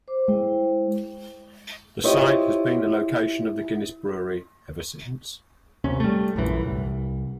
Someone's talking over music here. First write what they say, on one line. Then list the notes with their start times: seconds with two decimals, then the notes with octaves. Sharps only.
The site has been the location of the Guinness brewery ever since.
0.08 C5 D6
0.28 G#3 E4 C5 G5
2.04 E4 F4 G4 C5 C#5 D#5
5.84 D#2 C3 C#4
6.00 G3 A3
6.36 A#1 F#2 E3
6.63 C2